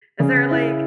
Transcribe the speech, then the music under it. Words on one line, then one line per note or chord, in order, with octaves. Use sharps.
is there, like,
C#3
E4